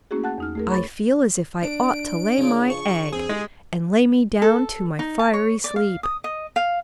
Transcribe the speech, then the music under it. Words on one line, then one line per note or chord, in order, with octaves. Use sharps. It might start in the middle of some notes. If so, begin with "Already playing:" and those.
I feel as if I ought to lay my egg, and lay me down to my fiery sleep.
A3 A#3 C#4 E4 F#4 G#4
F#5 A5 F#6 A6
E2 D#4 F6
A3 G#4 A#4
C#5 B5 C#6 D6 A6
D4 D7
C#3 F3
C#6
E2 C4 G#4
G#3 G4
A4
D#4
A5
C#5
D5
F5
D#6
D#5
F5